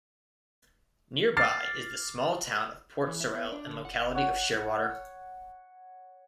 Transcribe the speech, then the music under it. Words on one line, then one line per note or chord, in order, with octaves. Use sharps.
Nearby is the small town of Port Sorell and locality of Shearwater.
D6 F6 A6 C7
E3
E4
B3
D4
D3
F#5
C#5 F#5 C#6